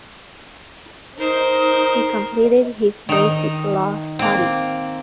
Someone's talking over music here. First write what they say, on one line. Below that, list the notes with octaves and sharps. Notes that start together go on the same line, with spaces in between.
He completed his basic law studies.
D#4 A#4 C5
D#3 D#4
A#3 C4